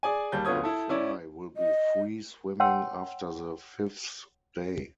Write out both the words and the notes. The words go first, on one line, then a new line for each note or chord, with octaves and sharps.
The fry will be free-swimming after the fifth day.
G#4 D5 G#5
D#2 G3 A5 G6
D2 B3 F4 C#5 D#6 G#6
E4 A4
C#4 E4 D5
D#5
C#5 F#5 G5 A5 C6 E6